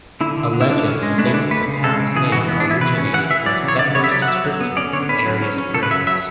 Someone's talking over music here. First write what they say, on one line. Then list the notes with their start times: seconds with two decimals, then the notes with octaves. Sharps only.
A legend states that the town's name originated from settler's descriptions of area springs.
0.21 D3 E4
0.37 D3
0.54 D3
0.61 E4
0.70 D3 D4
0.86 C#4
1.03 G#3
1.18 A3 D4
1.27 E4
1.34 D3 D4
1.51 A3 B4
1.67 C#3
1.84 G#3 A4
2.00 C#3
2.16 E3 G#4
2.32 E3 F#4
2.48 B3
2.60 D4
2.65 E3
2.71 E4
2.81 C#3 B4
2.98 C#4
3.13 E3 F#5
3.30 E3 E5
3.46 F#3 D5
3.63 C#3
3.68 C#5
3.79 D3 D5
3.95 B3 C#5
4.04 E5
4.11 F#3 D5
4.22 F#5
4.28 F#3 E5
4.44 F#3
4.60 B3
4.77 C#4 D5
4.93 D3 C#5
5.09 C#4 B4
5.25 F#3
5.42 C#4
5.58 C#4
5.74 C#3 A4
5.83 B4
5.90 F#3 E5
6.07 F#3 E5